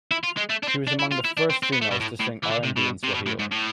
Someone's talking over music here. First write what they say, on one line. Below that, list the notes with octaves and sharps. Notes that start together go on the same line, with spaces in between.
She was among the first females to sing R and B in Swahili.
E4
F4
G#3
A3
D4
C4
D4
E4
F4
E4
D4
C4
C4
B3
A3
B2
A2
A2
E3
D3
C3
B2
C3
B2
A2
G#2
A2